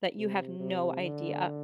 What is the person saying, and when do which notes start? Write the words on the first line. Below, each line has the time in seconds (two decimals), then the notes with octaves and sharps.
that you have no idea
0.19 C3
0.59 C3
1.01 D3